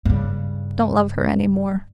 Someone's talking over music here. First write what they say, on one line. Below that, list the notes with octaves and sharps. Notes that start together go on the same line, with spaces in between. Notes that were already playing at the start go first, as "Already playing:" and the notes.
Don't love her any more.
G2 C#3